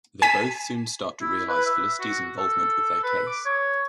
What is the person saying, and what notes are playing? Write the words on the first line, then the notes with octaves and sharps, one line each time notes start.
They both soon start to realize Felicity's involvement with their case.
G#5 B6 D#7
E4
B4
E5
F#4
A4
B4
D6
C#5